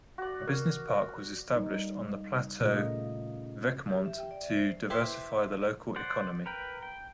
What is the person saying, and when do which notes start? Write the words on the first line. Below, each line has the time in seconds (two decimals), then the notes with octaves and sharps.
A business park was established on the plateau Vecmont to diversify the local economy.
0.18 F#4 D5
0.47 A#4
1.55 G3 A#3 D#4
2.60 A#2 C#3 A3 A#3 F4 D#5
3.89 G4
4.05 E5
4.19 G5
4.31 D5
4.42 E5
4.56 C5
4.90 E4 G4 B4 C5 E5
5.96 C5 D5 F#5
6.46 A#4 B4 G5
6.83 G5